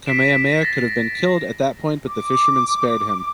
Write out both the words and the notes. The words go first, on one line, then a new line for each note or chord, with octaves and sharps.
Kamehameha could have been killed at that point but the fisherman spared him.
B6 C7 D7 E7
A6 A#6
D6